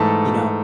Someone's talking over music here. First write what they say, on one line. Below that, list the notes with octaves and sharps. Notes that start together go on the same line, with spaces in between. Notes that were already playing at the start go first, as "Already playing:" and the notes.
You know
Already playing: G#2 E3 A3 A5